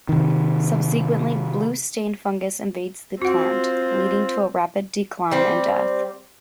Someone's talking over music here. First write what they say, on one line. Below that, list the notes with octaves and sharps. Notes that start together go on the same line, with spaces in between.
Subsequently, blue stain fungus invades the plant, leading to a rapid decline and death.
C3 D#3
C4 F4 F#4 F#5
G3 C4